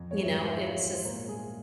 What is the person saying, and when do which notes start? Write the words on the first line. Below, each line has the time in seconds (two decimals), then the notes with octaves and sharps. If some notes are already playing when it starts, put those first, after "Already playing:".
you know, it's just
Already playing: F2
0.11 G#2 C#5
0.23 E5
0.34 E3 E5
0.46 F5
0.58 G#3 E5
0.70 C#5
0.81 G#2 C5
0.93 C5
1.05 A#2 A#4
1.28 G3 G#4